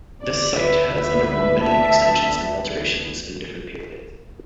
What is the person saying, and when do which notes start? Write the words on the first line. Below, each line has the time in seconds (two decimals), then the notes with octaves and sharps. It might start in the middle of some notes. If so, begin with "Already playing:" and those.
The site has undergone many extensions and alterations in different periods.
0.22 D2 D3 B3 D5
0.56 B4 E5
0.92 B4 E5
1.62 E5 A5